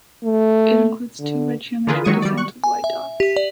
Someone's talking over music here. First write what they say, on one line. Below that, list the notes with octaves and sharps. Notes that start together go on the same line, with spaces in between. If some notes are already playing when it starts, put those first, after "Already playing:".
It includes two red geometric designs with white dots.
A3
D3
D3 E3 F4 G#4 A#4 B4
D#3 F#3 G#3 C#6 D#6 D#7
G3 D5
C#6 F#6
G#5
E5
G4
D5